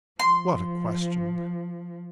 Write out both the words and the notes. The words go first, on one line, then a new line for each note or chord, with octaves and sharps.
"What a question!"
F3 C6